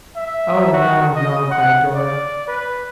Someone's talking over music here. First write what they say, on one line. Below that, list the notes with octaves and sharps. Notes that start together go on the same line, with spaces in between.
'Oh, no, no!' cried Dora.
E5
F#4
D#5
F#5
D5
B4